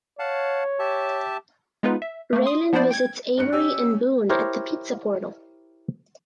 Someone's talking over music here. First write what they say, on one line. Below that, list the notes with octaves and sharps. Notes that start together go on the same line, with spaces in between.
Raylan visits Avery and Boon at the Pizza Portal.
C#5 F5 F#5 A5
G4 E5 A5
G#3 B3 D#4 F4 B4
E5
A3 A#3
C6 D#6
F3 B3 D4 E4 C5 D5
G5 G#6
G2 F#6 C#7
C#4 G4 E6
E4 G4 A#4 C5 C#5